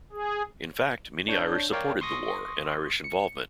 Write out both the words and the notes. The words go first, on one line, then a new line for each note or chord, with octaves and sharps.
In fact, many Irish supported the war and Irish involvement.
G#4
D4 C#5 G6
A#4 C#5 D5 F5 G5
C6 C#6 D#6 A#6
C#7